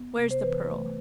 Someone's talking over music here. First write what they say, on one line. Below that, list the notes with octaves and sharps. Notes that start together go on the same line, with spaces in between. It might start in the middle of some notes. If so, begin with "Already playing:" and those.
Where's the Pearl?
Already playing: B3
C3
C5
E3 B4
A3